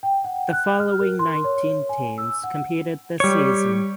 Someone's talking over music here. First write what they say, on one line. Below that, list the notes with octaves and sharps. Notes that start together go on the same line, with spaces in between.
The following nineteen teams competed this season.
G5
F#5
F#6
F6
A#4
C6
C#5
G#5
E6
F#5
G3 C#5